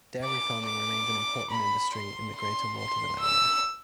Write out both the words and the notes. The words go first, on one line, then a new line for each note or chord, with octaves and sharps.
Dairy farming remains an important industry in the greater Waterville area.
D6
D6
B5
C6
C6
C6
E6